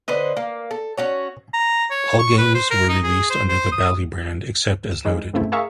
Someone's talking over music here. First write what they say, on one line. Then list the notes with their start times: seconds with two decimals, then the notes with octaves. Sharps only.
All games were released under the Bally brand, except as noted.
0.08 D3 B4 C5 D#5
0.37 A#3
0.71 A4
0.98 C#4 F#4 C#5
1.53 A#5
1.90 C#5
2.19 C#6
2.38 B4
2.54 C5
2.70 A#4
2.89 D#4
3.03 G#4
3.30 C5
3.49 C5
3.71 D#6
4.91 E7
5.05 E3 G#3 D#4
5.33 G2 C#3 A3 C4 E4
5.52 G#4 A#4 E5 F5 A#5 C#6